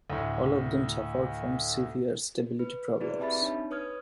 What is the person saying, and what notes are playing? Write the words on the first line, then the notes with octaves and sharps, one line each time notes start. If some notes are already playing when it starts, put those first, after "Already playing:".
All of them suffered from severe stability problems.
D2 A2
B4
E4 F#4 G#4 B4 D5
C4 G4 E5 A5 B5 A6
D4 D#4 C#5
B4 C#5 D#6 F6 G#6